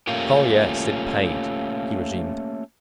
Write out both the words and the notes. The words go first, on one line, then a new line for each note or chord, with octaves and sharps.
"Oh yes, it paid," he resumed.
A3 A#3 C#4 F4 G4 A#4